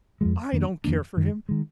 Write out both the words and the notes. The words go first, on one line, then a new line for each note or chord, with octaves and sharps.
I don't care for him!
F2 F3 G#3
F2 D#3 A#3 D4
F2 D#3 A#3 D4
F#2 D#3 G#3
D#3 G#3